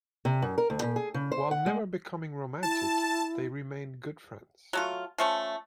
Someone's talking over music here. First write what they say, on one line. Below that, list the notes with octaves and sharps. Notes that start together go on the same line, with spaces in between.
While never becoming romantic, they remained good friends.
C3
F#2
A#4
D2
A#2
G#4
C#3
C5
F#5
G#3
E4 A5
F#3 A3 F4
F3 A3 C#4